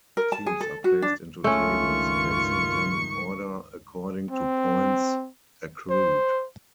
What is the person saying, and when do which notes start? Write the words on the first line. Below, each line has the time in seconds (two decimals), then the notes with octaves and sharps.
Teams are placed into tables, placing them in order according to points accrued.
0.17 A#4
0.32 A5
0.46 G#4
0.61 A4
0.84 F#4
1.02 D4
1.44 C#2 G2 D#3 A3 C#4 F4 C#6
4.31 C4
5.90 C5